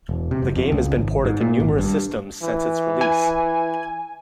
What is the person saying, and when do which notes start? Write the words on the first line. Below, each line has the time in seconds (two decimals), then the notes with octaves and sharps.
The game has been ported to numerous systems since its release.
0.09 E1
0.31 C3
0.42 F#1
0.56 F2
0.72 C#2
0.96 G#1
1.25 G#2
1.41 A#2
1.60 G#1
1.78 G2
2.43 E3
3.01 G#5